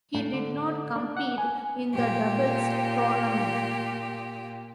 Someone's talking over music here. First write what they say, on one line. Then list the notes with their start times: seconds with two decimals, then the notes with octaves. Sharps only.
He did not compete in the doubles tournament.
0.15 A2
0.33 D3
0.96 D4
1.17 F#5
1.38 G#5
1.94 A#2 G4